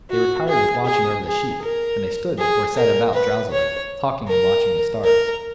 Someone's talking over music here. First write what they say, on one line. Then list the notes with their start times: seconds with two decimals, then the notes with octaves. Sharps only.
They were tired with watching over the sheep, and they stood or sat about, drowsily, talking and watching the stars.
0.10 F#4
0.48 G#4
0.86 G#4
1.25 G#4
1.62 A#4
2.38 G#4
2.76 A#4
3.14 B4
3.52 C#5
4.27 A#4
5.04 A#4